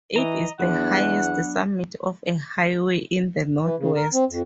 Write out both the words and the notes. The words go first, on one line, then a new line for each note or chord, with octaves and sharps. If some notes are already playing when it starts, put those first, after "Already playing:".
It is the highest summit of a highway in the Northwest.
E3 D#5 A#5
E2 F#3 B3 D4 F#5
E3
C#3
A#4
C4
F2